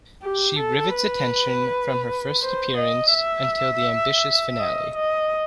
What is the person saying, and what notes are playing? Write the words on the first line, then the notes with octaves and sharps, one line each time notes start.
She rivets attention from her first appearance until the ambitious finale.
G4
A4
B4
C5
D#5
E5
D#5
D#5